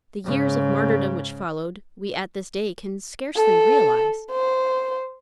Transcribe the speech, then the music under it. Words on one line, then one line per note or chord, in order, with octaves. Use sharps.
The years of martyrdom which followed, we at this day can scarcely realize.
G#2 C#3
A4
C5